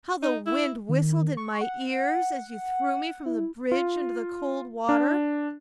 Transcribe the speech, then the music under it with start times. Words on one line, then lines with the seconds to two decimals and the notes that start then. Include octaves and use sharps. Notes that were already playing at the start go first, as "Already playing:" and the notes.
How the wind whistled in my ears as you threw me from the bridge into the cold water!
0.22 D#4
0.46 E4
0.89 D#3
1.37 C#6
1.61 F#5
3.26 E4
3.72 F4
4.89 D4